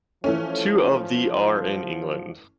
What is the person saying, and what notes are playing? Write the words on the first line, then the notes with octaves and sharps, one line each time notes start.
Two of the are in England.
E3 F3 A3 C#4